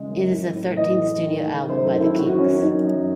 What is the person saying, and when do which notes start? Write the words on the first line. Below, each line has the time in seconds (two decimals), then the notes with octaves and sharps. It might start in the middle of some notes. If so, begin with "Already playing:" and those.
It is the thirteenth studio album by The Kinks.
Already playing: C#3 E3 G#3
0.08 F#2
0.31 A2
0.55 A2
0.77 E3 D#5
1.00 A3
1.23 D#3
1.46 A3
1.69 F#2 C5
1.85 A4
1.92 D#3
2.00 E4
2.15 F#2 F#4
2.27 F#4
2.38 F#2 C#4
2.54 C#4
2.61 F#2 D#4
2.85 F#2